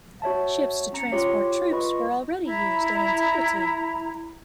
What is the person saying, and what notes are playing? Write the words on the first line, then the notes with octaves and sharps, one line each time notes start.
Ships to transport troops were already used in Antiquity.
F#4 C#5 E5 A5
C#4 A#5 C#7
F4 G4 C#5
F4 B4 D#5 B5 C#6
E4 A#5